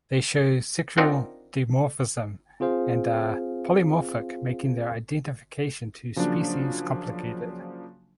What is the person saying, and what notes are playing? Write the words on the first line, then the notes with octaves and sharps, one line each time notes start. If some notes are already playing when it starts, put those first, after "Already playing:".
They show sexual dimorphism and are polymorphic making their identification to species complicated.
C4 D4 D#4 F4 A#4 F#5
C4 F4 G#4 C5 F5
C#3 F3 F#3 A#3 D4